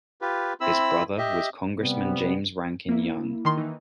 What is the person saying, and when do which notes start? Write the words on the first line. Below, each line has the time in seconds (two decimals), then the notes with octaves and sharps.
His brother was Congressman James Rankin Young.
0.22 F4 G4 B4
0.61 C4 E4 B5 E6
1.18 G4 D#5 E5
1.79 C3 G3 B3
2.89 A#3 E4
3.45 D#3 C6
3.57 E3 D#4